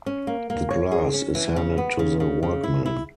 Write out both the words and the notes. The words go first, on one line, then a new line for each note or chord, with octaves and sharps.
The glass is handed to the workman.
C#4
A#3
A#3
C#5
G#4
C#4
E3
C#3
B3
C#3
C#3
C#3
E4
E4